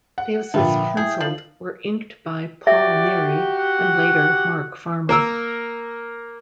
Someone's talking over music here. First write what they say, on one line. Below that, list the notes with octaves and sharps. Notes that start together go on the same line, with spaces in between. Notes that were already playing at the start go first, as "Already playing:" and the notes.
Davis' penciled were inked by Paul Neary and, later, Mark Farmer.
F#5
A#2 D3 F3 B3 E5 G5
E4 G#4 G6
F3 C7 F#7
F#4 G4 D5 E5
F#5
A#3 A#4 E6